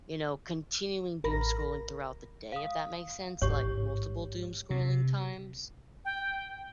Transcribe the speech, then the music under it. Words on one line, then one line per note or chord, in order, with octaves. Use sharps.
you know, continuing doom scrolling throughout the day, if that makes sense? Like, multiple doom scrolling times
A1 A#4 B5 A#6
F5 D#6
A1 G#2 G4 C#5
C3
G5